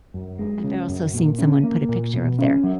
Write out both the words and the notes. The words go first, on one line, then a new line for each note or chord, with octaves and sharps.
I've also seen someone put a picture of their
F#2
G#3
C#3
F#2
A#2
C#4
A#3
A#2
B2
C#4
F#3